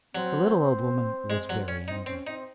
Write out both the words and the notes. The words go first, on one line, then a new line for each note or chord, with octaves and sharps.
The little old woman was very angry.
F#3 C4
G#3
F#3
C#4
C4 D#4
C4 C#4
C4 D#4